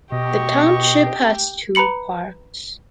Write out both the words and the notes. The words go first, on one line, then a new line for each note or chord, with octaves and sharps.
The township has two parks.
B2 G4 D#5 C#6
B4 A#5 B5 C#7 F#7